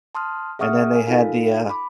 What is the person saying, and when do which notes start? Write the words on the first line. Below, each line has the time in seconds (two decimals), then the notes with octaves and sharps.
and then they had the, uh
0.15 A5 C6 D#6 F6
0.59 G#4 E5 F#5 C#6 D#6 F6
0.93 A#4 G#5
1.07 D#4 F4 A4 F5
1.70 B5 D6